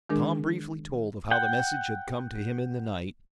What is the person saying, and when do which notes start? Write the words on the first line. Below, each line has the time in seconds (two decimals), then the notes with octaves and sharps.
Tom briefly told of how the message had come to him in the night.
0.09 D#3 G#3 D4 G#4 A#4
1.31 F#5 G5